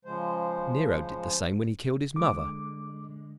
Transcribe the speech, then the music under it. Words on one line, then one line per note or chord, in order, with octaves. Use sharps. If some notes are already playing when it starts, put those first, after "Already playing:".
Nero did the same when he killed his mother.
C#3 F3 G#3 C5
D3 G#3 D6